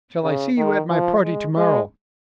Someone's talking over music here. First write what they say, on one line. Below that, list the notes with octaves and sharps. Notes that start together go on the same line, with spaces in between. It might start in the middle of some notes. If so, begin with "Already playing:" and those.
"Shall I see you at my party tomorrow?"
C#3
D#3
F3
G#3
G#3